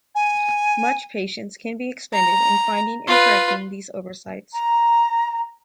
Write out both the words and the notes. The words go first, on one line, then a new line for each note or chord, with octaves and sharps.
Much patience can be expended in finding and correcting these oversights.
G#5
A#5
F4 B4
A#5